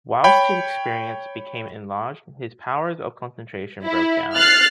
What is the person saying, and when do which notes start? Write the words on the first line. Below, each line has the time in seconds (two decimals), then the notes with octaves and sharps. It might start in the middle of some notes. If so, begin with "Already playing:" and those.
Whilst his experience became enlarged his powers of concentration broke down.
0.24 C#5 G5 B5
3.83 E4
4.36 F6 F#6 A6 C7